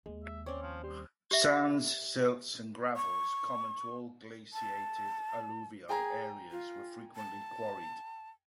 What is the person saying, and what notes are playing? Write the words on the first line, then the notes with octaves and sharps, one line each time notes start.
Sands, silts and gravels, common to all glaciated alluvial areas were frequently quarried.
D#2 G#3
E5
C4 C#4 C#5 D5
F3
G3 C5
G4 E5
C#6
A5
G#4 G5 G#5 A#5
F4
A5